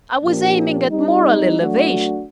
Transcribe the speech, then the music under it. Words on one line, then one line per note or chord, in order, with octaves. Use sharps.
I was aiming at moral elevation....
A#2 F3 A#3 D4 G4
G3 C4 D#4
F#3 A3 D4 F#4